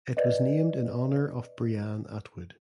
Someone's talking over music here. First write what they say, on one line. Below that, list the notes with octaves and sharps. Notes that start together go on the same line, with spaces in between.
It was named in honor of Brianne Atwood.
B4 D5 D#5